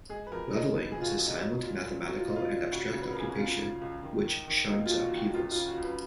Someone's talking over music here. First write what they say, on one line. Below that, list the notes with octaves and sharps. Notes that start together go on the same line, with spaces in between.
Leveling is a silent, mathematical, and abstract occupation which shuns upheavals.
G#3 G#4
B4
F2 A#4
G#3 D#5
B3
G#4
F3 F4
F#4
F2
D#4
F#3
A#2
A#2
F#3 F#4
F4
A#2 D#4
F4
A#2
C#3 F#4
C#3
B4
A#4
C#2 G#4
F#4
C#2 F4
C#3
C#2
D#3
D#3
D#3
A#3 D#4
F4
F2
F#4
D#3
F#4
C#2 F4
F4
C#3
F#4
C#2
B4